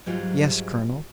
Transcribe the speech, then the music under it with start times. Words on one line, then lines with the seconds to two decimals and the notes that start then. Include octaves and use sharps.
"Yes, colonel."
0.06 G#2 F#3 G3 F4 G#4